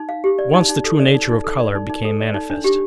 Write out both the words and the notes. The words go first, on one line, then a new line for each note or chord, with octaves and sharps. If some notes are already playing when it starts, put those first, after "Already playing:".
At once the true nature of colour became manifest.
Already playing: D#4
F5
G4
D5
D#4
D#4
A4
D5
D#4
D#4
A4
D5
D#4
D#4
A4
D5
D#4
D4
G4